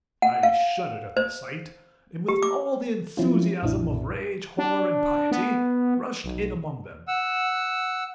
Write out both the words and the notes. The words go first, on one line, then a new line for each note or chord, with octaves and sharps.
I shuddered at the sight, and with all the enthusiasm of rage, horror, and piety, rushed in among them.
F#5
F5
C5
G4
D6
F3 F#3 C4 C#4 E4 F4
B1 F#2 A#2 D4 E4
D4
B3
B1
F#5 E6